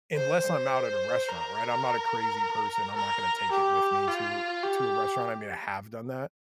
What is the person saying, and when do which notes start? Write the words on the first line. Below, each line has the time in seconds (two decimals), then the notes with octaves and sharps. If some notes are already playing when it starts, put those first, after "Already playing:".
unless I'm out at a restaurant, right, I'm not a crazy person, I'm not gonna take it with me to to a restaurant. I mean, I have done that.
0.16 C5
1.28 A#4
2.95 A#4
3.51 G4
4.07 F4
4.63 G4